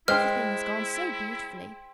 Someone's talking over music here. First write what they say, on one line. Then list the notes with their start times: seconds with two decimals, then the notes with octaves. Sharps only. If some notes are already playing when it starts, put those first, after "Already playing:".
Everything has gone so beautifully.
0.08 G#3 E4 C5 G5 F6